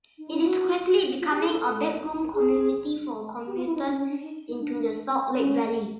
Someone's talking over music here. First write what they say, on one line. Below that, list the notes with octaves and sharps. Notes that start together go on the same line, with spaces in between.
It is quickly becoming a bedroom community for commuters into the Salt Lake valley.
D#4
E4
F4
F#4
F4
G4
G#4
A4
G#4
G4
F4
E4
D#4
C#4
C#4
D4
D#4
D#4
D4
C#4